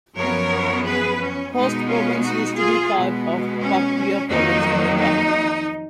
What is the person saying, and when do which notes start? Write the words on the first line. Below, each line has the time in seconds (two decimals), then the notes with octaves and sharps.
Khost province used to be part of Paktia province in the past.
0.16 F#2 F3 B3 A#4 C#5
0.84 G#4 B4
1.19 C#4
1.54 B2 G#3 B3 D#4
1.88 C#4 F4
2.22 D#4 F#4
2.57 F4 G#4
2.92 B2 G#3 B3
3.61 C#4
4.29 F2 D#3 F#3 A#3 D#4
4.98 D#4